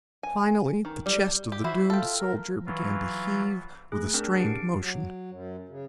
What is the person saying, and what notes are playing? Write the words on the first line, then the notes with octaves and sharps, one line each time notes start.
Finally, the chest of the doomed soldier began to heave with a strained motion.
G#5
D#3
G3
G4
E4 F#4 C5 E5
F4 A4 G5
A#4
E3 F#3 F4
A3 G#4 F#6
C4 D4 A#4
G4 F#5 C7 D7
F#3
F#2
C#3